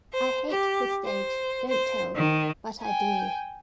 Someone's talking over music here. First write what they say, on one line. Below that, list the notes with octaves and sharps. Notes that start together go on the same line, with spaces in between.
I hate the stage, don't tell-but I do.
C5
G4
C5
C5
D#3
G5 G#5